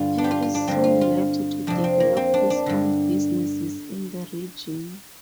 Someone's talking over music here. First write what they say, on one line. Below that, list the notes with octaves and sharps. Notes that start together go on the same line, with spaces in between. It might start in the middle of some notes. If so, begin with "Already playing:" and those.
Harris soon left to develop his own businesses in the region.
Already playing: G2 D3 F4
D4
G4
F4
F4
D4
G2 D3 C4
F4
F4
F2 C3 D4
C4
A#3
C4
D4
D4
G2 D3